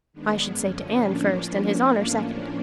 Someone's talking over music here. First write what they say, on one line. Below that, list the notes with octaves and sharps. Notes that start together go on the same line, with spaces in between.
I should say to Ann first and His Honor second.
G#2 D#3 G#3 B3 D4
F#2 D3 F3 C#4
A2 F3 A#3 C#4 D4